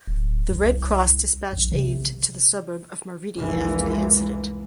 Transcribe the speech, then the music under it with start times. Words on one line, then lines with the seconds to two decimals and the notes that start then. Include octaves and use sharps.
The Red Cross dispatched aid to the suburb of Maridi after the incident.
0.07 D1
0.50 C2
1.53 A#1
1.72 C3
3.37 F1 C2 E3 G#3 A#3